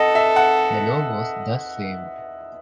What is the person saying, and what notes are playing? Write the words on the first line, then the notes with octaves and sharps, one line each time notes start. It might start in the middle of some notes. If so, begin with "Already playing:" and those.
The law was thus saved.
Already playing: A4 D#5 F#5
E5
F#5